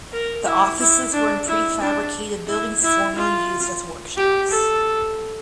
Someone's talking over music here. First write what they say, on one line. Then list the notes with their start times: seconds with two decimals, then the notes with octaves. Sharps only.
The offices were in prefabricated buildings formerly used as workshops.
0.12 A#4
0.46 E4
0.79 E4
1.13 D4
1.47 E4
1.81 D4
2.48 E4
2.82 E4
3.15 F4
4.17 G4
4.50 A4